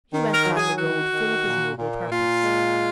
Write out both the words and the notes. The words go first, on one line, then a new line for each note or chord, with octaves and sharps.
He went down the road full of his noble purpose.
D#3
A#4
F#3
G#4
D#3 F#4
D#3
A#2
A#2
A#2 F4
G#3